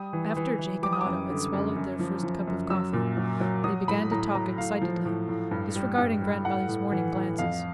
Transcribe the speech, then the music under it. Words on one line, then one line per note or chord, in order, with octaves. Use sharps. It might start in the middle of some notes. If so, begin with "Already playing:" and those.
After Jake and Otto had swallowed their first cup of coffee, they began to talk excitedly, disregarding grandmother's warning glances.
Already playing: G3 D#6
E3
E3
E3
G3 D6
D#6
F#2 D6
D3
F#2
F#2
F3
F3
F#2
F#3 E6
A#2
F#3
F#3
F#3 D#6
A2 B5
A2 A#5
F#3 A#5
A2 F5
F3
A2
A2
G2
G3
G2
G3
A2 F#5
A2
E3
A2
F2 F5